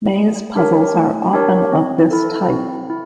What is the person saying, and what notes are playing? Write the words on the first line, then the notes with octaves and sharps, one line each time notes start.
Maze puzzles are often of this type.
A3
D4 G4 A#4 C#5
A3
D4 G4 A#4 C#5
C4
E4 A4
C4
E4